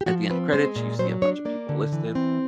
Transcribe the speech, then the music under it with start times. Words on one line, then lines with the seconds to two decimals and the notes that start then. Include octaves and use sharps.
at the end credits, you see a bunch of people listed,
0.01 G4
0.06 F3 F#4
0.29 C4 B4
0.53 G#3 C5
0.76 A#2
0.99 F#3 C5
1.22 D4 C#5
1.45 A#3 D5
1.69 D3
1.92 E3
2.15 C4